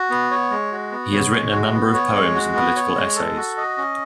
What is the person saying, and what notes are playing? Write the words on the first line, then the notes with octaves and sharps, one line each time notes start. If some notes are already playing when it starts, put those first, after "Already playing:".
He has written a number of poems and political essays.
Already playing: F#4
B3
C#5
G#3
F#4
B3
C#5
G#3
F#4
B3
C#5
G#3
F#4
B3
C#5
G#3
A4
F#4
D#5
C#4